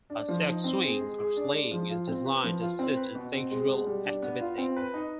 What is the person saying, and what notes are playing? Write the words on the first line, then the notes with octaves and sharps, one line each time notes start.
A sex swing or sling is designed to assist in sexual activity.
D4
F3
D#4
C4
G#4
G#3
G#4
D4
G#3
F3
F4
C4
B4
F3
F4
C4
B4
B2
C4
G#3
B2
G3
D4
B3
F4
C4
B4
D#4